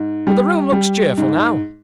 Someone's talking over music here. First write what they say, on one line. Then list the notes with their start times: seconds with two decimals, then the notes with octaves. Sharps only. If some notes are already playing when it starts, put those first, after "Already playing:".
But the room looks cheerful now.
Already playing: G#2
0.27 G3
0.72 G3
1.18 G#2